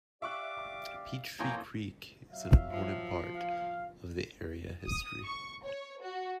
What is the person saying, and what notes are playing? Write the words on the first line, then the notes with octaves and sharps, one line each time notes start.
Peachtree Creek is an important part of the area history.
G4 D5 E5 F5 C#6 D6 F#6
A1 F2 A#3 C#5 G5 G#5 A#5 C6
F#3 E5 F5
F3
F5
D#6
C#6
C#5
F#4